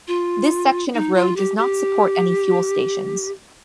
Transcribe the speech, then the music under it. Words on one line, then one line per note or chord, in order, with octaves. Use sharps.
This section of road does not support any fuel stations.
F4
D#4
F4
G4
G4